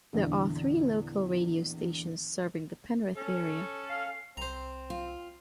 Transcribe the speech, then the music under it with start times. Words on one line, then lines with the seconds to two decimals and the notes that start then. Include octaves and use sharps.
There are three local radio stations serving the Penrith area.
0.13 A#1 E2 D3
3.16 C#4 A4
3.90 F5
4.37 C2 C4 C5 A#5
4.90 F4